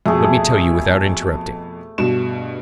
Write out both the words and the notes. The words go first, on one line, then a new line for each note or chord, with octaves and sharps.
Let me tell you without interrupting.
F2 B2 A3 G#4
A5
G2 B2 E7